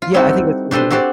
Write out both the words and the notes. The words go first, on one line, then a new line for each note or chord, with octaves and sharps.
Yeah, I think that's totally right.
F4
G3 C4 D#4 E4 F#4 A4
D4 G4 A4 B4 C5
C4 F#4 G4 C5 D5